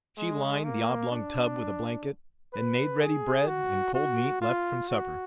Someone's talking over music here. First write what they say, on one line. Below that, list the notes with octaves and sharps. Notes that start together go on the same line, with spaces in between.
She lined the oblong tub with a blanket, and made ready bread and cold meat left from supper.
G#3
A#3
D4
B4
G#4
F#4
F#4
F4
F#4